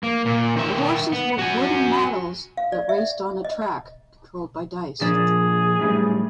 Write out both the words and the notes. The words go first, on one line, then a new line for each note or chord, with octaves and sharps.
The "horses" were wooden models that raced on a track, controlled by dice.
A#3
A#2
D#3 E5
B3
F#4 G#5
F5
D5
E5
D#5
A#2 F3 D4 G#4
F#2 A2 G3